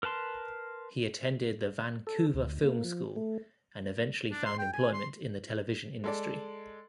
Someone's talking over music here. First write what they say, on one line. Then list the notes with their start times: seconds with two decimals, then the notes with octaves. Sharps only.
He attended the Vancouver Film School and eventually found employment in the television industry.
0.03 A#4 B4 A5 C6
2.07 A4
2.34 D2
2.62 A#3
2.84 F3
3.16 A3
4.32 D4
4.45 C6
4.59 G5
4.73 G#5
4.93 C6
6.04 G#3 A4 D5